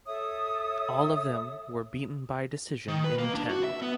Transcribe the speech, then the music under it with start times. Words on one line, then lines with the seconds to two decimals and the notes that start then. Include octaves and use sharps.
All of them were beaten by decision in ten.
0.07 A4 C#5 E5 D#6
2.88 D#3
3.04 B4
3.19 A#3
3.34 D4
3.49 F#4
3.64 E5
3.82 B3